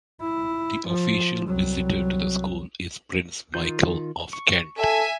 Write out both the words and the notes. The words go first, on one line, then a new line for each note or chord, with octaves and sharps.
The official Visitor to the school is Prince Michael of Kent.
E4
F3
C2 F#3
D#3 F4 G6
C#6
A4 E5 G#5